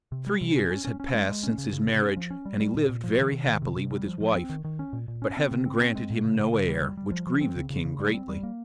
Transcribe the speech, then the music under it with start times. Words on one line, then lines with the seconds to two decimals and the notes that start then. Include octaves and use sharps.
Three years had passed since his marriage, and he lived very happily with his wife, but Heaven granted him no heir, which grieved the King greatly.
0.12 C3
0.27 G3
0.41 C3
0.56 C#4
0.70 C#4
0.85 C#4
1.00 C#4
1.14 G#3
1.29 G#3
1.43 C#4
1.58 C#3
1.73 C#3
1.87 C3
2.02 C#4
2.17 F3
2.30 C#4
2.45 G3
2.60 G3
2.75 A#2
2.89 A#2
3.04 F3
3.19 D#3
3.33 C3
3.48 D#3
3.62 C3
3.77 C3
3.91 G3
4.06 F3
4.20 F3
4.35 C4
4.49 D#3
4.64 D#3
4.79 C#4
4.93 A#2
5.08 A#2
5.22 C#4
5.37 C4
5.51 C#3
5.66 C4
5.81 C4
5.95 G#3
6.10 A#2
6.24 C#3
6.39 C#3
6.54 C#3
6.68 G3
6.82 G3
6.97 G3
7.12 F3
7.27 F3
7.41 C4
7.56 C#3
7.70 C#3
7.85 C#3
8.00 G3
8.14 C4
8.29 G3
8.43 A#3